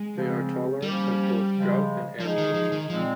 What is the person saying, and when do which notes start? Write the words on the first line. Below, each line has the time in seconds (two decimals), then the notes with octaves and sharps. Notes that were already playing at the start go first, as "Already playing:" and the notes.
They are tolerant of both drought and air pollution.
Already playing: G#3
0.14 C#3 F3 C4
0.82 F3 G3 A#3 C#4 G4
1.52 C#3 F3 G#3
2.20 F3 G#3 D#4 G#4
2.38 D#3
2.54 F3
2.72 D#3
2.90 A#2 F3 G#3 C4